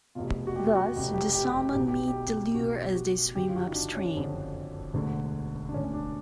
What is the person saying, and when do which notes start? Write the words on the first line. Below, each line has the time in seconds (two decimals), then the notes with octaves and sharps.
Thus, the salmon meet the lure as they swim upstream.
0.15 F1 E2 B2 F4
0.47 F#4
0.56 G4
0.75 F#4
0.96 F1 E2 B2 G4
1.14 G4
1.32 G4
1.51 G4
1.69 G4
1.75 B1 B2
1.88 G4
2.08 G4
2.54 B1 B2 F#4
2.95 F#4
3.34 F#1 F2 D3 G4
3.49 F4
3.55 F#4
3.67 D#4
3.74 D4
3.95 C#4
4.15 F#1 F2 D3
4.94 E1 D2 D3
5.69 D4
5.74 E1 D2 D3 C#4
5.84 C#4
5.93 D4